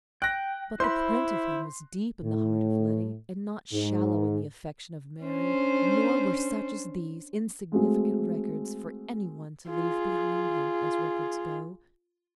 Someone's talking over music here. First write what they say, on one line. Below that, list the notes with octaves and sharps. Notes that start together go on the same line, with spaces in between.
But the print of him was deep in the heart of Letty, and not shallow in the affection of Mary; nor were such as these, insignificant records for any one to leave behind him, as records go.
G5 F#6 A#6
E4 C5 B5 C6
A2
G#2
C#4 D4 C5
G#3 A3 C4 F#4 G#4
F4 G#4